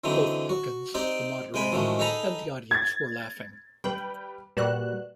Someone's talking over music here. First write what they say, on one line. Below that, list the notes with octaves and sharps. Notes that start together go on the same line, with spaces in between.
Both Perkins, the moderator and the audience were laughing.
D3 E3 F#3 C4 D#4
F#4
C4 D#4 G4 D5 G5
C3 G#3 G5 G#5 B5
A1 D#3 F3 F#3 G#3 A3
D#4 G#4 A4 A#5 B5
G#6 A6
G3 B4 G5 F#7
A#2 G3 F#4 B4 D5 F#6 E7